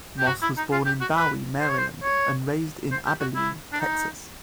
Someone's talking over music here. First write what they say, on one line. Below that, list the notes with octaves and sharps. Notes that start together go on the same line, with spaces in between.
Moss was born in Bowie, Maryland and raised in Abilene, Texas.
G4
F#4
E4
D#4
F4
G4
F#4
B4
C5
C#5
C5
C#5
C5
G4
F#4
E4
D4
D#4